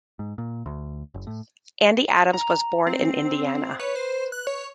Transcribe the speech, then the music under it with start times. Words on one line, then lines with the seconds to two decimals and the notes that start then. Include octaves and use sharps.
Andy Adams was born in Indiana.
0.19 G#2
0.38 A#2
0.66 D2
1.14 F#1
1.27 A2
2.33 A#5
2.87 C4
3.79 B4 C#5
3.96 C5
4.32 F#6
4.47 C#5